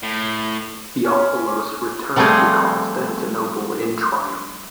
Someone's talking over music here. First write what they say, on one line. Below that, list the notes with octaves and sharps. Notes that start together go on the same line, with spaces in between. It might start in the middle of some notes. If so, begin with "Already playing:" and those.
Theophilos returned to Constantinople in triumph.
A2
C#4
F3 G3 A3 C4 F4 G#4